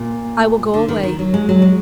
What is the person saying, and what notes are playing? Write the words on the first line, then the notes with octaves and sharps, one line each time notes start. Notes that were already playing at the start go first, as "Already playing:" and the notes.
"I will go away."
Already playing: A#2
D3
D#3
D#3
F#3
G#3
F#3
G#3